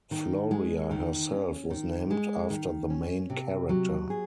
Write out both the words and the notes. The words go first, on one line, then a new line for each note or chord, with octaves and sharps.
Floria herself was named after the main character.
D#3
G#3
D#3
C#4
D#3
G#3
D#3
C#4
C3
F#3
G#4